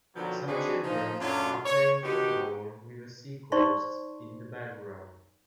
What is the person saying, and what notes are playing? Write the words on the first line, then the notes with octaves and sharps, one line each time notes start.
Some children are playing football with a seacoast in the background.
B2 D3 D#3 F3 F#3
C4 D4 D#4 F#4 G#4 B4
F3 D#4
F#2 F#3 A3 C#4 D4 F4
C#5
D3 B3 D#4 F#4 G4
D#4 C5 D5 A5 C6 C#6